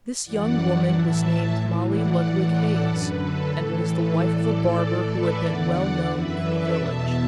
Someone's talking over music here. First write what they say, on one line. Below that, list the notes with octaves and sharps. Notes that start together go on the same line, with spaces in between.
This young woman was named Molly Ludwig Hays, and was the wife of a barber who had been well known in the village.
F#2 E3 D5 F#5
A2 E3 E5 A5
A2 E3
D5 F#5
A2 E3
A4 D5
F#2 D3 B4
A4
A2 E3 A4
B4
A2 E3 A4 D5
A2 E3
B4 E5
E2 D3 D5 F#5
F#2 E3 B4 E5
A4 D5
E2 B2 E5 A5